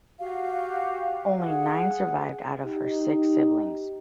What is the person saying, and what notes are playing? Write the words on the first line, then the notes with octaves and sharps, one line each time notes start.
Only nine survived out of her six siblings.
F#4 G4 F5
G#4 F#5
D#4 G4